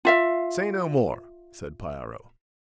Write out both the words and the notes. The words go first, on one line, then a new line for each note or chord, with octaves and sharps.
"Say no more!" said Piero.
F4 E5 F5